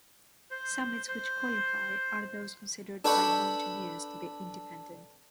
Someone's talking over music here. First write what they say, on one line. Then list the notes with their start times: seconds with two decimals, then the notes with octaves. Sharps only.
Summits which qualify are those considered by mountaineers to be independent.
0.51 C5
1.08 C5
3.05 D4 A4 B4 G5 B5 C#6